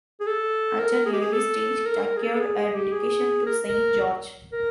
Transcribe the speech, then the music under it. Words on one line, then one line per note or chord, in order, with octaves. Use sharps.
At an early stage it acquired a dedication to Saint George.
G#4
A4
A#4
G#4
G4
G#4
A4
A#4
A#4
G#4
A4
A4
G#4
G#4
G4
G#4
A#4
A#4
A#4